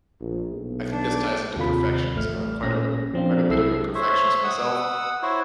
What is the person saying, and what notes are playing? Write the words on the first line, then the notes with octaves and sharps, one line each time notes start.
I think this ties into perfectionism. I'm quite of a quite a bit of a perfectionist myself
A#1
B1
D4
D#2 C3 F4 B5
A1 A3 F6
A#2 C#4 A#6
F3 C4 D4 F4
C2 F#3 E4 A4 E6 C7
C5 C#5 E5
F#5 D#6 E6
E4 F#4 C5 C#5